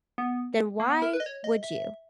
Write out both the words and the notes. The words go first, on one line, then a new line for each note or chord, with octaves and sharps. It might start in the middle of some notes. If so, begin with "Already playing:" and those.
then why would you?
B3
A#3
B3
A#4
B4
D#5
C#5
D#5
E5